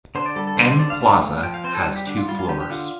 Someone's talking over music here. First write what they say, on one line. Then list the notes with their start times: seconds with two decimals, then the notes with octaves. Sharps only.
N Plaza has two floors.
0.15 D3 C5
0.26 D5
0.36 G3 A4
0.47 A4
0.57 D3 C5
0.69 C5
0.78 D3 D5
0.90 F5
1.00 A3
1.21 A3
1.43 F3 G5
1.54 F5
1.64 C4 C5
1.75 A4
1.85 G3
1.96 G4
2.07 D3 D4
2.17 F4
2.28 G3 F4
2.39 F4
2.49 D3 G4
2.60 G4
2.70 D3 F4